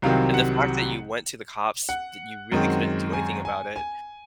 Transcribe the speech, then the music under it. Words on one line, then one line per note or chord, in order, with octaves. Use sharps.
and the fact that you went to the cops that you really couldn't do anything about it.
C2 C3 D#3 F#3 C4 F5
F#5
F#5
F#2 D#3 G#3 C4
G#5
G#5
G#5